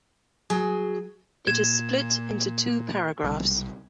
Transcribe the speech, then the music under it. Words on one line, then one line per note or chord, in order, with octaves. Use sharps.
It is split into two paragraphs.
F#3 G#4
A#2 G#6 E7
B1 C3 G3